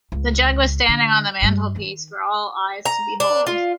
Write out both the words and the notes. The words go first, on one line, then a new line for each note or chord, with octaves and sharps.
The jug was standing on the mantelpiece, for all eyes to behold.
C#2
D3
G2 G3
D#3
A#5
D4
F4